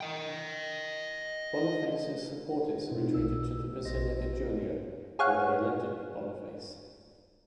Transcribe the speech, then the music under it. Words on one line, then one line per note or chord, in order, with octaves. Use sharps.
Boniface's supporters retreated to the basilica Julia, where they elected Boniface.
D#5 G5
B2 C4 D#4 F4
B1 B2 E6
A#1 C5 D#5 A#6
G#4 C#5 F5 F#5